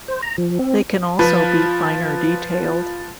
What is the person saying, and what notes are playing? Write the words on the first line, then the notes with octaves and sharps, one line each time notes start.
They can also be finer detailed.
C5
A#5
F3
C4
F3 B4